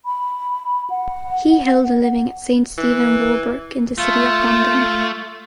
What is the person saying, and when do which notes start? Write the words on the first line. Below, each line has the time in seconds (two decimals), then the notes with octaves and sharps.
He held the living at St Stephen Walbrook in the City of London.
0.06 B5
0.90 F#5
2.78 E3
3.98 A3 F4